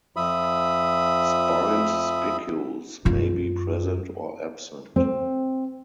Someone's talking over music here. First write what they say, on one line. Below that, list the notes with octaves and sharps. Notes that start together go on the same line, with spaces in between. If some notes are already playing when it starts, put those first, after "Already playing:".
Spined spicules may be present or absent.
F2 F3 E5 B5 D#6
F#2 F4
C4